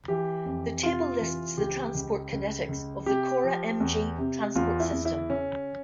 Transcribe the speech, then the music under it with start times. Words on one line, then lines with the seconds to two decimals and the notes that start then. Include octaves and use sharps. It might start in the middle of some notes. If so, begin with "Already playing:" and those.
The table lists the transport kinetics of the CorA Mg transport system.
0.08 E3 G4
0.46 F2
0.82 C3 F4
1.20 E3
1.57 C#2 G4
1.95 C#2
2.32 C#2
2.69 C#2
3.06 C3 G4
3.43 F3
3.80 E2
4.18 C3
4.56 E2 F4
4.80 E4
4.93 E2
5.05 E4
5.30 C#3 C#4